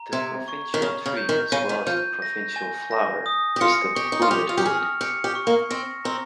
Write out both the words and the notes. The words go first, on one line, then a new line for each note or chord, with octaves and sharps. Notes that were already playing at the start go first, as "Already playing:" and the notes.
The provincial tree as well as the provincial flower is the "bullet wood".
Already playing: A#5
C3 G#6
C#6
D#3
C#3 G7
C#3
G6
D#3
C#3 D#7
D#3
F3 G6
A#6
G#5
A#6
D#6
G4
F4 C#7
G4 C#6
D#4
F4
G4 F7
F4
G4
G#4 F6
G4 C#7
G4
C#6
A#3
C4 A#6
C4 A#5